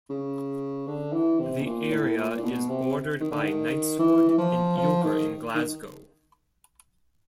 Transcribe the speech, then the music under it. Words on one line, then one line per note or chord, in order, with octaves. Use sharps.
The area is bordered by Knightswood and Yoker in Glasgow.
C#3
D3
E3
C3
B2
A#2
A2
A#2
A#2
B2
C3
D#3
D3
D#3
E3
E3
F3
F3
D#3
D#3